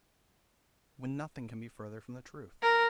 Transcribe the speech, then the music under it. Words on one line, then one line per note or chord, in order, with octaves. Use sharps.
When nothing can be further from the truth.
A#4